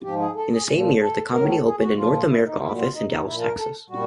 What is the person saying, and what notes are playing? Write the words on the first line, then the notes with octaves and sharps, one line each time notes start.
In the same year, the company opened a North America office in Dallas, Texas.
G#2 F3 G4
G#4
A4
G#4
A#2 F3
A4
A2 F#3 A#4
A4
G#4
F#4
A#2 F3 F4
F4
E4
D#4
A#2 F#3 E4
F4
D#4
D#4
A#2 F3 E4
A#4
A4
A#2 G3 F#4